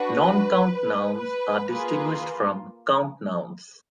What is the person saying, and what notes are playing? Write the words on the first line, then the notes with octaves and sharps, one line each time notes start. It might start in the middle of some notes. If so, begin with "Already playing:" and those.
Non-count nouns are distinguished from count nouns.
Already playing: D4 F#4 B4
B4
A#3 F4 G#4 B4